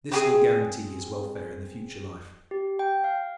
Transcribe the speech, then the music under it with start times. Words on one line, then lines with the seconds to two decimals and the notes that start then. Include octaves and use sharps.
This will guarantee his welfare in the future life.
0.12 C4 G4 G#4
2.51 G4
2.79 G5
3.04 F5